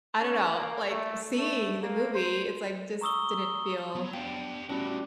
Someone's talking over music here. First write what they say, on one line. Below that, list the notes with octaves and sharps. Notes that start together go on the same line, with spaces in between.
I don't know, like, seeing the movie, it's like, just didn't feel,
C#4
A#3
A3
A3
A#3
C5
A#5 C#6 D#6 E6 G7
F#3 B3
B3 D4 G4 F5 G5
A2 G3 B3 C#4 D4 E4 F#4 B4